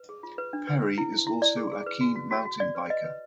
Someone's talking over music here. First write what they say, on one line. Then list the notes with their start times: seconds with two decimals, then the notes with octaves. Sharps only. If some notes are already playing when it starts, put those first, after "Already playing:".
Perry is also a keen mountain biker.
Already playing: B4
0.09 G#4
0.23 F4
0.38 B4
0.53 D4
0.67 B4
0.83 B4
0.98 E4
1.12 E4
1.27 E4
1.42 E4 D5
1.56 G#4
1.72 G#4
1.86 B4
2.01 F#4
2.16 F#4
2.31 F#4
2.45 F#4
2.60 F#4 D5
2.75 B4
2.90 B4 D#5
3.05 B4